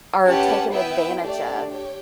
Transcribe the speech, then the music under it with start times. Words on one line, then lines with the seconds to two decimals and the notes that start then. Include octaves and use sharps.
are taken advantage of.
0.24 C#4 G4 B4 F#5 A5
0.73 B3 E4 B4 E5 G5
1.22 A3 D4 G4 D5
1.70 G4 C#5 G5